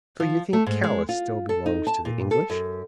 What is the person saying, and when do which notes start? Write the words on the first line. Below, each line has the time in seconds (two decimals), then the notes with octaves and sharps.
"So you think Calais still belongs to the English?"
0.20 F3
0.53 A3
0.66 G#2
0.84 G#3
1.09 F4
1.49 A4
1.66 D#4
1.87 A5
2.05 A#2
2.31 A4
2.50 F#2